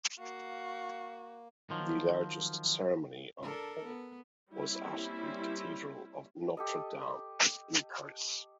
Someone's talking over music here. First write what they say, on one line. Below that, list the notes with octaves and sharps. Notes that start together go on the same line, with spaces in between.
The largest ceremony of all was at the cathedral of Notre Dame in Paris.
A#3 F#4 F5
D#3 F3 F#3
D4 A4 A#4
B3
G3 A#3 C4 C#4 E4
G4 A4 D#5